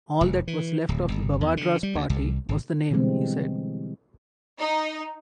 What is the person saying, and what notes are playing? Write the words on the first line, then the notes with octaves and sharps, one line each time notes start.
All that was left of Bavadra's party was the name, he said.
F1
E3
D1
G1
E2
D3
G3
D2
C2
G#1
B2 D3 E3 G3 G#3 C4
D#4